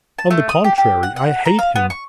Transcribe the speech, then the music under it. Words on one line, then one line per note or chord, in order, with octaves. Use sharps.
On the contrary, I hate him!
A5
A3
D#6
G4
G4
F#5
F#5
A#5
F5
B3
C#6